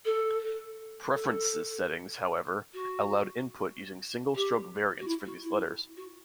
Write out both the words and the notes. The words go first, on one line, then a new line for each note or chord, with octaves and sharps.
Preferences settings, however, allowed input using single stroke variants for these letters.
A4
A4
F#4
G4
F#4
E4
F#4
E4
F#4